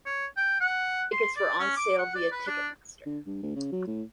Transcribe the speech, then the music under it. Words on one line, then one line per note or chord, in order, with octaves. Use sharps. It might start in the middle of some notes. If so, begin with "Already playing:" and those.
Tickets were on sale via Ticketmaster.
C#5
G5
F#5
C6
D5
C#4
D6
F#5
D5
B4
D4
D3
G2
D2
C#3
F#3
A2